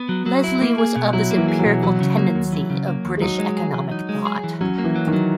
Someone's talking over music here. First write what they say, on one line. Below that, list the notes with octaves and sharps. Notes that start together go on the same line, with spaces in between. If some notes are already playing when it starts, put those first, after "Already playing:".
Leslie was of this empirical tendency of British economic thought.
Already playing: B3
F#3
F#3
E4
A#3
G#4
B2
F#3 E4
A#3
E3
G#4
F#3
B2
E3 F#3
C#3
A#3
D#2
E3
C#3
A#3
D#2
G#3
F#3 D#4
G#3
G#4
E3
D#4
G#3
G#4
E3
F#3 C#4
A#3
E3
F#3
D#3
F#3